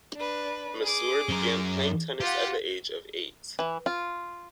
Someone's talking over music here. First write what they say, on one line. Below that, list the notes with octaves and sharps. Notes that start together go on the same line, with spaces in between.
Masur began playing tennis at the age of eight.
D4 B4
G#4 D6
F#2 A#4
F4 G4 F#5
E3
F4